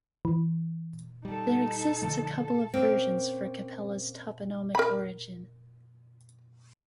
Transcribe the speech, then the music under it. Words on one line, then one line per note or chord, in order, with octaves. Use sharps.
There exists a couple of versions for Capela's toponomic origin.
E3
G3 D#4 A4
D3 F3 A3
A4
A#3 C4 C#4
A#4 B5